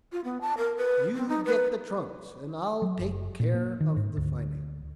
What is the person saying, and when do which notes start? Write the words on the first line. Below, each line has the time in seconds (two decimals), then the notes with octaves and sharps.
"You get the trunks, and I'll take care of the finances."
0.12 F4
0.24 B3
0.41 A5
0.58 A#4
0.77 B4
1.15 C4
1.28 D#4
1.45 B4
2.82 F#3
2.99 F#1
3.40 A#2
3.55 A#3
3.80 D#3
3.96 G#2
4.17 D2